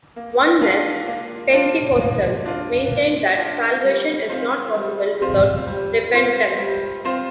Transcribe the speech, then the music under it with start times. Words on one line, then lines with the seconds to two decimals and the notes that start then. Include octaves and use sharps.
Oneness Pentecostals maintain that salvation is not possible without repentance.
0.16 A#3
0.62 D4 F4
1.07 A#3
1.53 D4 F4
2.00 A#3
2.46 D4 F4
2.92 A#3
3.37 D4 F4
3.83 G3
4.29 C4 F4 C5
4.75 G3
5.21 C4 F4 C5
5.67 G3
6.13 C4 F4 C5
6.59 G3
7.05 C4 F4 C5